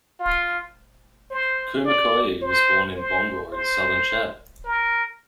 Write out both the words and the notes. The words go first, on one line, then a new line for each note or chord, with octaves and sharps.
Koumakoye was born in Bongor in southern Chad.
F4
C5
D5
C5
C5
C5
A#4